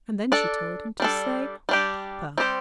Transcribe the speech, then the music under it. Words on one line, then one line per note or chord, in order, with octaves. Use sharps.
And then she told him to say papa.
D4 A4 D5
G3 D4 A4
G3 D4 G4
G3 C4 G4 C5